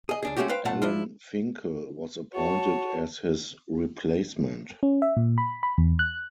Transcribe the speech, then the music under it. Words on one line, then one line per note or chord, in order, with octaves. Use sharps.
Alan Finkel was appointed as his replacement.
G#4 D#5
C#2 D4 G#4
G#3 A3 C#4 F#4 G4
B4 C5 F5 G5
B1 A#2 A3 F4 F#5 A5
F3 D4 E4 F4
F#4 C#5 A5
C#4
E5
A#2
B5
B5
E2
F#6